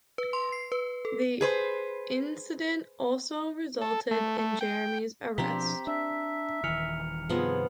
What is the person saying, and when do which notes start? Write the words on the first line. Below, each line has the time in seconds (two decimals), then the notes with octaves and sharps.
The incident also resulted in Jeremy's arrest.
0.18 B4
0.33 C6
0.52 C7
0.72 B4
1.05 A4
1.41 G#4 B4 C5
3.81 A4
4.11 A3
4.38 A3
4.61 G5
5.38 B2 F3 C4 D4 G4 A#5 B6
5.87 D4 E5
6.64 D#1 D#3 E3 F6 C#7 F7
7.29 G2 C3 D#3 F3 B3 G#4